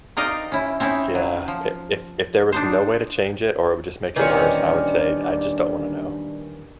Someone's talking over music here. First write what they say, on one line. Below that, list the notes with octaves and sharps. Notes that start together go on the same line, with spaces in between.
Yeah, i if if there was no way to change it, or it would just make it worse, I would say, "I just don't wanna know."
C4 D#4 A#4 D5 D#5 F5
C#4 E4
C4 C#4 D#4 E4
F#3
F3
D4 D#4 C5
A#2 D#3 E3 G3 A#3 C#4 D4 D5